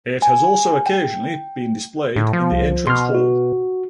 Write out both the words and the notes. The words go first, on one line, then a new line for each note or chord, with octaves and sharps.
It has also occasionally been displayed in the Entrance Hall.
G#5
G5
A2
F3
C2
B2 C6 F6
F#4